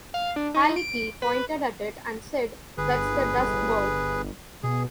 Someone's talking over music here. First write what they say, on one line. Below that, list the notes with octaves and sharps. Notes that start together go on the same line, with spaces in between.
Halicki pointed at it and said, That's the dust bowl.
F5
D4
D#4
D7
B4
G1 G#4 B4
B2 G#4